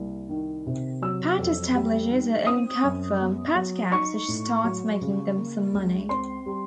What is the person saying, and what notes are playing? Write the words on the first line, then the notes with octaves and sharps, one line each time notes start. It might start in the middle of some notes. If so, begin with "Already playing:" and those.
Pat establishes her own cab firm, "PatCabs", which starts making them some money.
Already playing: C2 A#3
D#3
C3
F#3 E6
F2
G3
D#3
C4 D#6
F#2
B3
F#3
D#4 C#6
A2
F#3
C#3
A#3
C#2
C4 C6
G3